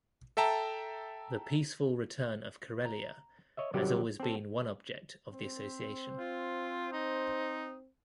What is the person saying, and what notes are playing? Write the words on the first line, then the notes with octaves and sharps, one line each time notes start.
The peaceful return of Karelia has always been one object of the association.
A4 E5 G5 A5 A#5
A#5
C#5 D#5 E5
C3 D#3 F#3 G3 G4
C4 A4
C4 C5
F4
D#4